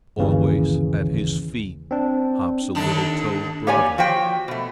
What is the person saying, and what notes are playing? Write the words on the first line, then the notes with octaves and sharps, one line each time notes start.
Always at his feet hops a little toad brother.
G1 D#2 C#3 E3
C4 D4
D#2 D3 D4
A#3 G4 C#5 D5 G#5
F3 F#4 C5 G5
B2 A3